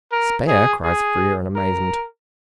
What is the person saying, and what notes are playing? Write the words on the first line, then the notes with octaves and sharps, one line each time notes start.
"Spare!" cries Frere, in amazement.
A#4
G#4
G#4
A#4